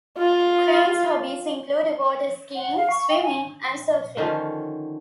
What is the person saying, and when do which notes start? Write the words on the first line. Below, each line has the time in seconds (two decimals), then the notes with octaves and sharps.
Crane's hobbies include water skiing, swimming and surfing.
0.18 F4
2.56 F#5
2.77 F5
2.90 C#6
3.10 G5
3.22 G#5
4.17 D3 D#3 F3 C#4